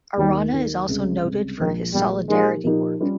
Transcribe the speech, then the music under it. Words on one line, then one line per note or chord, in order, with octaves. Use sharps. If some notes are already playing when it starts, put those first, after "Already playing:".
Arana is also noted for his solidarity work.
D#2 D#3 G3 A#3
D#2 D#3 A#3
C#2 C3 G3
C#2 C3 G3
A#1 A#2 D#3 F3 G#3
A#1 A#2 F3 G3 G#3
A#2 F3 G#3 A#3 D#4 G4
A#2 F3 A#3 D#4 G4
G3 C#4 F4